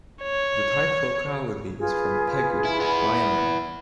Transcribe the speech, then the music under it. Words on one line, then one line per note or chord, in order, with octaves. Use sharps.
The type locality is from Pegu, Myanmar.
C#5
F4 G#4 B4
E4
B3 E4